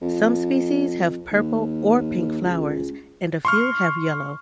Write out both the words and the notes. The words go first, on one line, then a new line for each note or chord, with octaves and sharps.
Some species have purple or pink flowers, and a few have yellow.
F2
D#2
C#2
C6 C#6 F6